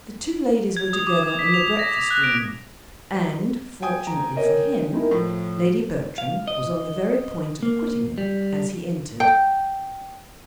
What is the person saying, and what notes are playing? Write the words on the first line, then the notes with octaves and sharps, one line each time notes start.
The two ladies were together in the breakfast-room, and, fortunately for him, Lady Bertram was on the very point of quitting it as he entered.
G#6
D#6
D6
D#6
B6
F7
A#6
A#6
F#6
D7
G5 G#5 D#6
A#5
A#4 C#5 D#5
D#4 E4 A#4
A2 F3
F5
D#5
A#3
G3
G5